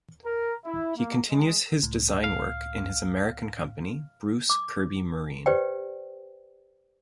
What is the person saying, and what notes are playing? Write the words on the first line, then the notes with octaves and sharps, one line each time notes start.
He continues his design work in his American company, Bruce Kirby Marine.
A#4
E4
A#3
G#3
C#2 A2
F5
D6
G4 B4 C5 D5 G5